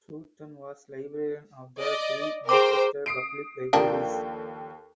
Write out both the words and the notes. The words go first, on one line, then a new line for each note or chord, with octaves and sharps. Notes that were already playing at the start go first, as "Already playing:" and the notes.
Sutton was librarian of the Free Manchester Public Libraries.
D5 D#5
G#4 A#4 C5 G5 D6
D#6 C7 D7
D#2 F3 A#3 D4 A4 G5